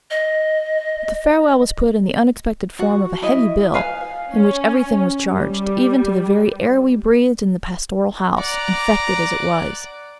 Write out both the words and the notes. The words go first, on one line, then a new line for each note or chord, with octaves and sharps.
But the farewell was put in the unexpected form of a heavy bill, in which everything was charged, even to the very air we breathed in the pastoral house, infected as it was.
D#5
F#4
E4 D#5
B4 F5 G#5
C#4
G3
D5 F#5 A#5